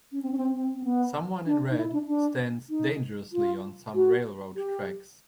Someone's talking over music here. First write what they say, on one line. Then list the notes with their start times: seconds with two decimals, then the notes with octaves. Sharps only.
Someone in red stands dangerously on some railroad tracks.
0.12 C#4
0.23 C4
0.32 C#4
0.37 C4
0.53 C4
0.75 C4
0.84 B3
1.46 D4
1.71 D#4
1.78 E4
1.93 D4
2.08 D4
2.70 D#4
3.33 F4
3.95 F#4
4.56 G4